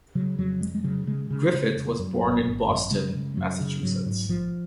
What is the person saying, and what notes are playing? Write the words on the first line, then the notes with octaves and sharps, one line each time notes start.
Griffith was born in Boston, Massachusetts.
C#3 F#3
F2 F#3
F1 G#3
G#3
C#3 F#3
C#3 G#3
C#3
C#3
F1
F#2
G#1
G#1
F#2
C#3 G#3
C#3
F#2 F#3
C#3
G#2 F#3
G#2
A#1 F3